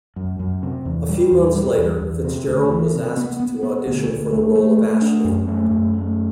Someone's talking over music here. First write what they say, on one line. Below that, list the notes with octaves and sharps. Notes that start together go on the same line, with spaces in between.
A few months later, Fitzgerald was asked to audition for the role of Ashley.
F#2
F#2
C3
E2
G3
E2
G3
E2
E2
C3
D2
E3
C3
B3
B3
B3
D2
D2
A3
A3
A3
D4
F#2
A3
F#2
A3